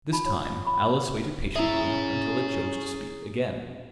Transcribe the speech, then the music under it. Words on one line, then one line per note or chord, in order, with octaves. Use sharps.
This time Alice waited patiently until it chose to speak again.
D#4 F4 A5 B5
C#5
B5 C#6
C#4 E4 G#4 E5 A#5